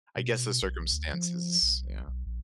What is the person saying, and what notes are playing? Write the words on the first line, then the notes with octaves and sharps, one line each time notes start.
I guess the circumstances yeah.
B2
B1
D2
F3
B1
B1
A#1